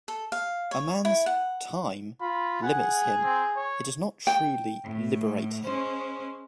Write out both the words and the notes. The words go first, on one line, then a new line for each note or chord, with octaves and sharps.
A man's "time" limits him, it does not truly liberate him.
A4
F5
C#5
E4
F#5
F4 B5
G#4 F#5
C4
C#5
G5
A2
G#3 C#4 C5